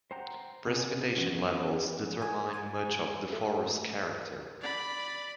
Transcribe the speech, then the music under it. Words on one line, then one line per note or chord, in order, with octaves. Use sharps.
Precipitation levels determine much of the forest character.
C5 F#5 G5 A#5
C3 B3 C4 G#5
E3 F3 B3 C#4
G#5
G#5
A3
D5 B5